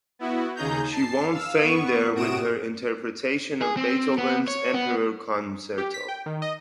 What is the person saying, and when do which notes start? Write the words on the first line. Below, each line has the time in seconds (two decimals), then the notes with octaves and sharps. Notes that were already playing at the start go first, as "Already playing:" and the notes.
She won fame there with her interpretation of Beethoven's "Emperor" Concerto.
0.19 B3 E4 F#4
0.55 D#2 C#3 D#4 G#4 A#5 G6
0.92 A5 C7
1.31 F5 E6
1.63 B3 C#6
2.14 A2 C3 F#4 D#6 D7 E7
3.62 G#4
3.77 C4
4.18 B3
4.48 C#5
4.74 B3
5.78 G4
5.94 B6
6.08 G5
6.26 D#3
6.42 D#5